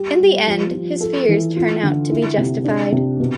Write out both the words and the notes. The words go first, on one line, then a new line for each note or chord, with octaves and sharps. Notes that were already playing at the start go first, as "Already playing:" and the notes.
In the end his fears turn out to be justified.
Already playing: G3 G4
G3
F3
F3
A4
E3
F4
D3
E4
C3
D4
C3
B2